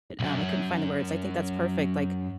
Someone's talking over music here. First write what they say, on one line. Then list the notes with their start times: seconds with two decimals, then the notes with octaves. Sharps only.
um, I couldn't find the words. I think that's perfect, like
0.20 B1 F#2